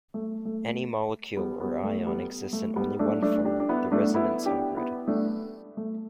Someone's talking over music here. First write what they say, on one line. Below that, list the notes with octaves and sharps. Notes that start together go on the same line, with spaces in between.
Any molecule or ion exists in only one form - the resonance hybrid.
A3
A3
G3 B3
G3 B3
A3
G3 B3
A3
G3 B3
A3 D4
A3 D4
D4 G4
D4
B3 E4
A3 D4
B3 E4
D4 G4
B3 E4
A3 D4
A3